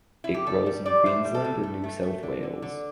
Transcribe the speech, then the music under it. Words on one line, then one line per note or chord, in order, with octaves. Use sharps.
It grows in Queensland and New South Wales.
E4
G4
G3 A4
G3
G3 D5
A2 C5
G3
A4
A2
A3
A3
A3
D3
D3
D3